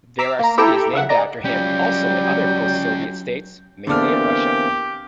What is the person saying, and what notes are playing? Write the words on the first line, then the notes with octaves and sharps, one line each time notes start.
There are cities named after him also in other Post-Soviet states, mainly in Russia.
A#5 D6 E6 B6 C7
A#3 A#5
E4 G4 A4 E5 G5 A#5
C#3 E5 F#5
D5 D#5 A#5
F#3 G3 C#4 F4 G5
E2 D3 E3 A#3 C4 D4 G4 F6